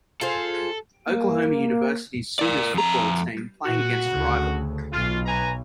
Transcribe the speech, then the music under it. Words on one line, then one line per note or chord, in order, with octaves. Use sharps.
Oklahoma University 's Sooners football team playing against a rival.
F4 G#4 A4 C5
A#3
A#4 D5
F2 A#5
A#2 F#4
D2 C#3
B1 F4
B4 G#5 A#5